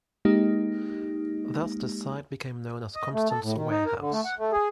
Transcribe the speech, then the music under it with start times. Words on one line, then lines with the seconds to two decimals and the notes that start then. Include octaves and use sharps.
Thus the site became known as Constant's Warehouse.
0.25 G#3 A#3 D#4 G4
2.95 D#5
3.13 A3
3.30 A4
3.43 A2
3.55 D#3
3.70 D#4
3.86 A#4
3.99 D3
4.12 A3
4.25 F#5
4.39 A3
4.53 G#4